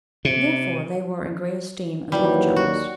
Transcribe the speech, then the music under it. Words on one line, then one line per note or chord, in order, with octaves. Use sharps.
Therefore they were in great esteem as love charms.
C3
D#2 E3 F#3 G3
F#4